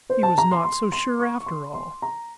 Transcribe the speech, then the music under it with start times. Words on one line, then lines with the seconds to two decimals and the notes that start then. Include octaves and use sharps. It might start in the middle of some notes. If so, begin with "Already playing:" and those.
He was not so sure, after all.
0.10 C5
0.23 A5
0.38 A#5
0.52 C6
0.65 C6
0.92 C6
1.19 C#6
1.40 C#6
1.46 C6
1.74 C6
2.02 A#5